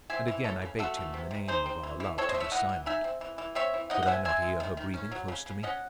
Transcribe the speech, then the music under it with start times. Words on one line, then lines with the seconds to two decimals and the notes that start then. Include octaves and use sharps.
And again I begged him in the name of our love to be silent. Could I not hear her breathing close to me?
0.10 C4 E5 G#5
0.28 E3
0.44 C#3 A4 C#5
0.62 C#3
0.79 A3 F#4 A4
0.97 E3
1.14 C3
1.31 C3
1.48 D#4 G#4 C5
1.66 C4
1.83 E3
2.00 E3
2.18 C4 A4 C#5
2.29 C5 D#5
2.34 A3
2.40 C#5 E5
2.52 E3 D#5 F#5
2.69 E3
2.86 D#4 E5 G#5
3.04 C4
3.21 E3
3.38 E3
3.55 C4 C#5 E5
3.74 E3
3.90 D#4 D#5 F#5
4.03 F#5
4.07 C3 E5 G#5
4.25 C4 E5 G#5
4.42 G#3
4.60 D#3
4.77 D#3
4.94 C#4
5.12 F#3
5.28 C#3
5.46 C#3
5.63 C#4 D#5 F#5